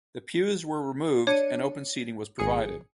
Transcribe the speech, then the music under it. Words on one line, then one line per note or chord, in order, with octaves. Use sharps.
The pews were removed and open seating was provided.
D4 C#5 C#7 D#7
G#1 G#4 C#7